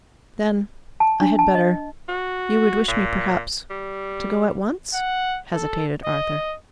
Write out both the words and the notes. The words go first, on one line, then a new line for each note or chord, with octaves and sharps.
"Then--I had better--you would wish me, perhaps--to go at once?" hesitated Arthur.
A5
D4
A5
D#5
F#4
A#2
G3
F#5
A4
D#5